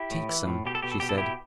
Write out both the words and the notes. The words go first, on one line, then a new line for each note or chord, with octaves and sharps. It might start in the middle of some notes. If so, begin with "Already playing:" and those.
"Take some," she said.
Already playing: E4 G4
A2
E3
A2
B2 G4
A4
B2 G4
A4
B2 G4
A4
B2 E4 G4